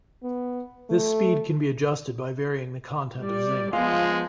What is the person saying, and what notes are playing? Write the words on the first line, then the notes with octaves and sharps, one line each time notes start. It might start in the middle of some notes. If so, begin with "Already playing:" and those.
This speed can be adjusted by varying the content of zinc.
B3
A3
G3 D5
F3 G#3 B3 F4